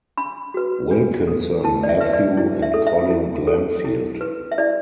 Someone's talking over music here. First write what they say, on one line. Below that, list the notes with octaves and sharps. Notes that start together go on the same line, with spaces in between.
Wilkinson, Matthew, and Colin Glanfield.
D4 B5
F#4 B4
D4
A4
E4 A5
D5
E5
B4 E5
D5
E4
E5
A4
E5
E4
A4
E4
B4
E5
E4 D5